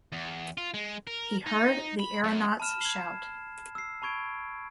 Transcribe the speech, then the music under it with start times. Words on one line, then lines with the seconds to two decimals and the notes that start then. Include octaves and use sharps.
He heard the aeronauts shout.
0.12 E2
0.58 F4
0.74 G#3
1.07 A#4
1.46 D#4
1.99 B5
2.24 F#2
2.60 A5 B5 F6 E7
2.81 G#6 C7
3.75 E6 C7
4.02 A5 B5 C#6 G#6 D7